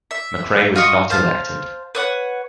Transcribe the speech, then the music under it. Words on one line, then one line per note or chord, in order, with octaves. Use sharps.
McRae was not elected.
E5
F4 F#4 D#5 C#6
C5 F5 A5
B4 C#5 F#5